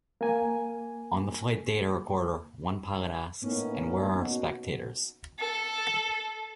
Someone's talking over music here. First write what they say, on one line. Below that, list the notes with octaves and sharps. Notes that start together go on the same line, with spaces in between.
On the flight data recorder, one pilot asks, And where are our spectators?
A#3 G#5
A2 A#3 B3 C#4 D#4
B2 C#4 F#4
A4